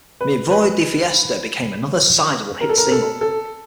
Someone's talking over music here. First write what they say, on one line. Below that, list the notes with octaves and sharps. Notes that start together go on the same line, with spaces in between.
"Me Voy De Fiesta" became another sizable hit single.
B4
B4
A#4
A4
A#4
A4
A4